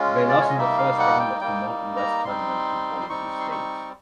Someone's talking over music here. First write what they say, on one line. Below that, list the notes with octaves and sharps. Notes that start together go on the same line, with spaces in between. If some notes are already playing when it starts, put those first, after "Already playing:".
They lost in the first round of the Mountain West Tournament to Boise State.
Already playing: G#3 C#4 F4
C#5
D5
C#5
D#5
G3 A#3 D#4 E5
F5
F#5
G5
G3 A#3 D#4 G5
A#5
G3 C4 D#4 C6
C6
G3 C4 D#4 C#6
C6
C#6